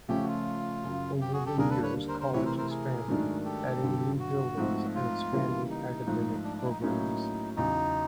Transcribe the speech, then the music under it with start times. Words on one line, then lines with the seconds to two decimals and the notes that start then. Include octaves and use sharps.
Over the years the college expanded, adding new buildings and expanding academic programs.
0.08 C#3 F3 A3 C#4 G4
0.23 F#4
0.28 F4
0.83 F#2 C#3 F#3
1.21 G4
1.33 F#4 G#4
1.46 G4 A4
1.58 D#2 D3 G3 A#3 D4 G#4 A#4
1.70 A4 B4
1.83 B4 C#5
2.08 A#4 C5
2.20 A#4 C5
2.33 C3 E3 A3 C4 E4 B4 C#5
2.45 A#4 C5
2.58 A#4 C5
2.70 G#4 A#4
3.08 G#2 D#3 F#3 A3 D4
3.45 G4 A4
3.82 G2 D3 F#3
4.19 F#4
4.58 G#2 F3 A3 C4
4.95 F4
5.32 C#3 E3 G3 A#3
5.70 D#4
6.07 G#2 F3 A3
6.44 D4
6.57 D4
6.64 E4
6.69 D#4
6.82 A2 F#3 A#3 C#4 D#4
7.57 E2 C#3 F#3 D#4